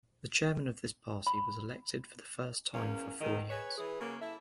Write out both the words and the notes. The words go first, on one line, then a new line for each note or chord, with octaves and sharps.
The chairman of this party was elected for the first time for four years.
B5
E2 A#3 C#4
E2 G#2 D#3
G#4 B4 C#5
E3 G#4
C#3 F#3 A#3
E4 A4 E5